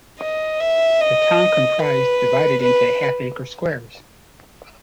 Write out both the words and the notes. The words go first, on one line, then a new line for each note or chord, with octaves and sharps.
The town comprised divided into half-acre squares.
D#5
E5
D#5
B4
B4